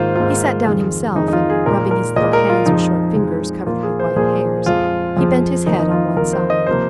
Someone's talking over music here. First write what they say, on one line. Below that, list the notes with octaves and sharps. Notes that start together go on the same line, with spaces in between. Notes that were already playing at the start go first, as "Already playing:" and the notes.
He sat down himself, and, rubbing his little hands with short fingers covered with white hairs, he bent his head on one side.
Already playing: G#2 D#3 A#3 F4 C5
G#2 D#3 A#3 F4
F2 D#3 G#3
F2 D#3 G#3 D#4
D#4
F4
G#4
A#2 G#3 A#4
A#4
A#2 G#3 D#5
A#4
F4
F2 F3 G#3 D#4
F2 F3 G#3
A#2 F3 A#3 F4
G#4
C5
A#2 F3 A#3 G#4
F2 F3 G#3 F4
F2 F3 G#3
F2 D#3 A#3 D#4
D#4
F4
F2 D#3 A#3 A#4
C5
D#5
C3 F3 A#3 C5